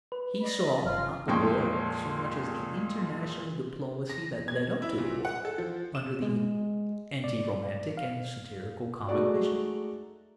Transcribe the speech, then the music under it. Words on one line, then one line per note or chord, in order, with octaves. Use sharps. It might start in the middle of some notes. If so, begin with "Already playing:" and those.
He saw, not the war so much as the international diplomacy that led up to the war, under the anti-romantic and satirical comic vision.
B4
D5 D#5 B5
G1 F4 F6
F2 A#2 G#3 G5 C#6
A#6
G#6
E4
A#2
F#5
A4
F3
E7
G#3
D5
F5
G#3 A3 D#4 F#4 D5